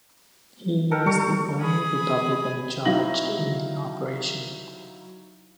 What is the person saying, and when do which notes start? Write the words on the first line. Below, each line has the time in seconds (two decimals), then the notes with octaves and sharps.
He was the only Republican charged in the operation.
0.91 A4 A#4 G5
1.06 G3 A4 C#6
1.61 G#4 B5
2.85 F#3 D#4 E4 F5 A#6 F#7